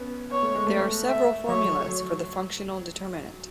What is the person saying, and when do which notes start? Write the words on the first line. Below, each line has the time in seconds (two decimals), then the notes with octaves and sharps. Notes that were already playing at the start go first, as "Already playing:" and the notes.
There are several formulas for the functional determinant.
Already playing: B3 C#4
0.31 B3 C#5
0.42 A3
0.55 G#3
0.67 A3
1.09 E5
1.48 F#3 C#5
1.88 F#3